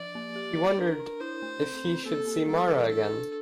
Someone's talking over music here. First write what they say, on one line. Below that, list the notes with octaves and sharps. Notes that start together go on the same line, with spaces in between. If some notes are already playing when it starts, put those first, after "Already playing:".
He wondered if he should see Mara again.
Already playing: F3 D5
A#3
G4
G4
D4 A#4
D4
E4 C5
A3
C4
C4
A#3 A4
A#3
G3 A4
E3
D4 A4
D4